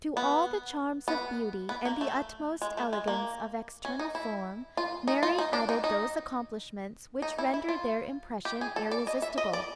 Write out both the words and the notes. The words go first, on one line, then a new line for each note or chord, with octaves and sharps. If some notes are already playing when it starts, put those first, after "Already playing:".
To all the charms of beauty and the utmost elegance of external form, Mary added those accomplishments which render their impression irresistible.
B3
B3
B3
A#3
A3
G#3
A3
G#3
A#3
C#4
D#4
E4
F4
D#4
F4
D#4
D4
D#4
D#4
D#4
E4
E4
F4
G4
G#4
A4
D5
D#5
E5
D#5
D5